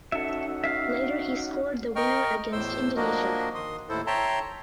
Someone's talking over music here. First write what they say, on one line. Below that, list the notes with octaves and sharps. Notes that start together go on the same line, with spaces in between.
Later he scored the winner against Indonesia.
C#4 D#4 F#4 A4 E5
E5 F5
A#4 D#5 G5 C#6 F6
E2 A2 C5 C6 E6
F3 A#3 D4 F#4 A#4 D#5
D#3 C6 D#6
D#2 A2 E4 A4 C5
C#5 E5 G5 A5 A#5 C6